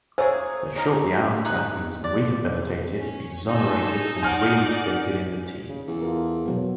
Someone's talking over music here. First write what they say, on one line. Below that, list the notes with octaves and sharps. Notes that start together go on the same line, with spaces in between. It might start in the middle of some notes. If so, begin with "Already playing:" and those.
But shortly after, he was rehabilitated, exonerated, and reinstated in the team.
A3 A#3 G#4 C5 C#5 G#5
C#4 D#4 A#4
D#4 G#4 B4
D5
C#4
D#4 A4 G#5 E6
D5 F#5 G#5 F6
C#3
E2
F4 A4 A#4
B2 F#3 B3